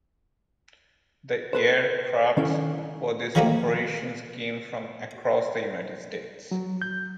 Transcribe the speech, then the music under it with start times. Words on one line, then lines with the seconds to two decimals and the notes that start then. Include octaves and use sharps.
The air crafts for these operations came from across the United States.
1.53 A4 B4 C5
2.37 D#3 C#4 E4 A4
3.35 D#3 F3 G3 A3 A#3 D4
6.51 F#3
6.82 G6